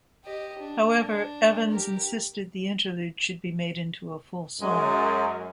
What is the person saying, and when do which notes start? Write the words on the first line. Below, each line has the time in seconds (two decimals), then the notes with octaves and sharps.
However, Evans insisted the interlude should be made into a full song.
0.24 G4 D#5
0.59 D4
1.71 G4 A#4
4.61 F#2 G#3